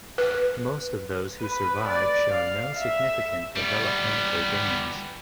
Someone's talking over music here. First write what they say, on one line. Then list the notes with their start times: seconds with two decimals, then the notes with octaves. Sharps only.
Most of those who survive show no significant developmental gains.
0.18 B4
1.40 B4
1.88 D5
2.31 F5
2.76 E5
3.56 G3 B3